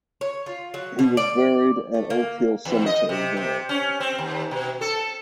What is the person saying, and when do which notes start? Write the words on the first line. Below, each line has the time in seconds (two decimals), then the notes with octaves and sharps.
He was buried at Oak Hill Cemetery there.
0.21 C#5
0.46 F4
0.74 F#3
0.99 B2
1.17 D5
1.94 A3
2.10 A#3
2.65 E2
2.86 D#5
3.09 C3
3.37 C3
3.69 C#4
4.00 C4
4.19 D#2
4.51 B2
4.81 A4